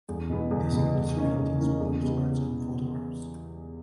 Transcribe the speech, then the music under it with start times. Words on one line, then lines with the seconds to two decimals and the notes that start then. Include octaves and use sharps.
This includes paintings, postcards and photographs.
0.09 E2
0.29 B2 G#3 B3
0.51 E2
0.73 B2 G#3 B3
0.95 E2
1.16 D#3 A#3 C#4
1.38 E2
1.59 D#3 A#3 C#4
1.80 E2
2.02 C#3 G#3 B3 G4